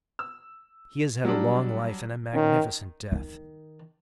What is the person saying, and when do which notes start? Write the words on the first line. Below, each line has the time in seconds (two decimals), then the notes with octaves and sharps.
He has had a long life and a magnificent death!
0.19 E6
1.25 F#3 G3 D4
2.34 D#3 C#4
3.12 D#3